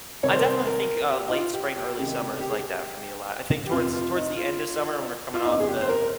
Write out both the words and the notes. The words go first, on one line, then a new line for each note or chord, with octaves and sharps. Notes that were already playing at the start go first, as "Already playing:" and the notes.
I definitely think, uh, late spring, early summer is like that for me a lot. I think towards towards the end of summer when we're coming off the
C2 C3 D#3 C#5
C5
A#4
C5
A#4
G4
D#4
F4
G4
G4
C#2 C3 D#3 G4
G4
G#4
G4
G4
F1 F2 C3 F4
F4
D#4
F4
F4
G1 F2 C#3 D#4
G#4
G4
C5
A#4